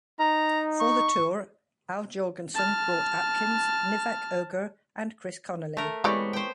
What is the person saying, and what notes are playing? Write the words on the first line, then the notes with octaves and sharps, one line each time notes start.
For the tour, Al Jourgensen brought Atkins, Nivek Ogre and Chris Connelly.
D#4 A#5
C#6
A5 F6
A3 A#4
E3 G#3 B3 C4 G4 C#5 D5
C5 G5